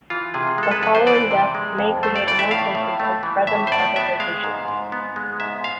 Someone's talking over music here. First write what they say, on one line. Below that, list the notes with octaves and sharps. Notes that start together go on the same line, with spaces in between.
The following deaths may create more curses and spread them to other locations.
E3 F4
C3 G#4
G#3 A4
B4
F2 B4
C5
E3 D5
C3
G#3
F2
A3 C5
D5
E3 D5
E5
A2 F5
A2
A3
E3
A2 E5
C5
A2 D5
B3 E5
G#3 F5
G#2
G#2
B3
G#3
G#2 E5
F5